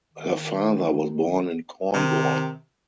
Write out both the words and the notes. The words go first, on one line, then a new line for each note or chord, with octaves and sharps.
Her father was born in Cornwall.
D#3
C3 D#3